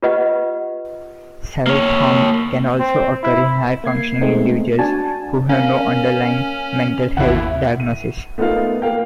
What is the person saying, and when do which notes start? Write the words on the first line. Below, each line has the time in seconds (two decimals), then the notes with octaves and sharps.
Self-harm can also occur in high-functioning individuals who have no underlying mental health diagnosis.
0.03 F4 G4 B4 D#5 F#5
1.67 A#3 C#5
2.80 C4
3.23 E4
3.84 A#3 G#6 C7
4.21 G#3 A3 B3 C4 D#4
4.79 D4 F#4 G#5 A5
5.49 A#3 C#4
7.17 G1 D#2 E4 F#5
7.80 D#7
8.38 A3 B3 D#4 F4 A#4 F5
8.82 A#3 F5 G5